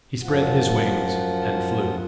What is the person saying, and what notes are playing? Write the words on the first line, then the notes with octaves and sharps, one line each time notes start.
He spread his wings and flew.
F#2 F3 F4 F#5